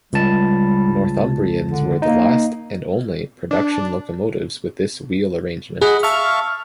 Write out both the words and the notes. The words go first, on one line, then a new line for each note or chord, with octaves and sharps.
"Northumbrians" were the last, and only, production locomotives with this wheel arrangement.
C#2 G3 A5
D3
A#3 D#4
D4
G#4 D#5 F#5 B5
E5 F5 A5 C#6 F6